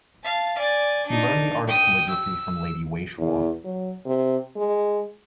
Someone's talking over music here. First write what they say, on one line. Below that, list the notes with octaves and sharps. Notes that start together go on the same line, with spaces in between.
He learned the art of calligraphy from Lady Wei Shuo.
F5 A5
D5 G#5
D4 D#4
G5 D#6
E6
E2
F#3
C3
G#3